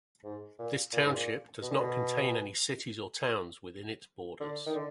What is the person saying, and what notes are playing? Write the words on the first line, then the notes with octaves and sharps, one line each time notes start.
This township does not contain any cities or towns within its borders.
G#2
A#2
A#2
G#2
A#2
B2
D3
B2
D3
D#3
D3